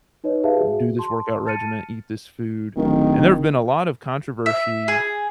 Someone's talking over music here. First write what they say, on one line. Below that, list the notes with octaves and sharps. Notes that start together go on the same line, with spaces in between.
do this workout regimen, eat this food." And there have been a lot of controversy
D#4 B4 C#5 D#5
G4 G#4 B4 E5 F5 A5
F#4 G#4
A5 C6
A5 F6 A6 C#7 D#7
D1 D#3
E5
G#4